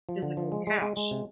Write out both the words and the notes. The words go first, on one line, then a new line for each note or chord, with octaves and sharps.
physical cash
F3
D3
F3
G#3
G#3
G#3
G#3
C3